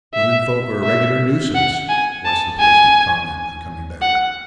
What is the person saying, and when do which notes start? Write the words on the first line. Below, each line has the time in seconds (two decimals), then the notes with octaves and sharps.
"Women folks are a regular nuisance," was the policeman's comment, on coming back.
0.14 E5
0.83 E5
1.55 F#5
1.89 G#5
2.25 A5
2.60 G#5
4.01 F#5